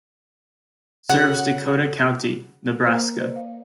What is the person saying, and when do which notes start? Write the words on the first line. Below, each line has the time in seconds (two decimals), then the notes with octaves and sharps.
Serves Dakota County, Nebraska.
1.09 C#3 F#4 F#5
2.85 A#3 A#4 C5
3.20 B4 C5 D5 D#5
3.36 F5